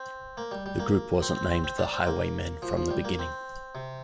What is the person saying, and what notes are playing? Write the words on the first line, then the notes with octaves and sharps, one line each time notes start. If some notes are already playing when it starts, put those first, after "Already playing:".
The group wasn't named "The Highwaymen" from the beginning.
Already playing: C4
A#3
G3
G3
A#3
C4
C4
C4
C4
D4
C4
A#3
F3
F3
G3
A#3
C4
C3